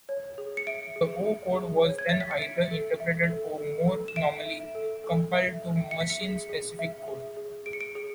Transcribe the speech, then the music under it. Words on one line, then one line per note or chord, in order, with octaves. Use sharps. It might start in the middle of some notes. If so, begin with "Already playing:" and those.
The O-code was then either interpreted or, more normally, compiled to machine specific code.
C#5
G#4
C#7
E5 D7
G#4
E5
G#4
C#5
G#6
E5 A6
B6
C#7
E5 D7
A4
E5
A4
A4
A4
E7
E5 D7
E5
A4
A4
E5
E5
E5 C#7
B6
C#7
G#4
G#4
E5
G#4
G#4
G#4 D7
C#7
D7
G#4